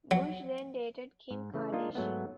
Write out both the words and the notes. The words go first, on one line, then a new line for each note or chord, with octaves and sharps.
Bush then dated Kim Kardashian.
F#3
G#2
C#3 E3 A3
A#3 D4 D#4 F4 D#5
G#2 F#3 A3 B3